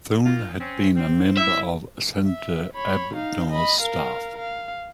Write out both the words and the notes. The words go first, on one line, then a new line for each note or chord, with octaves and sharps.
Thune had been a member of Senator Abdnor's staff.
D#3 A#3 F4
C4 C#4
C4
E4 E5
E5
C#5 B5
D#4 F5
D#5 B5
A#4 F5
F5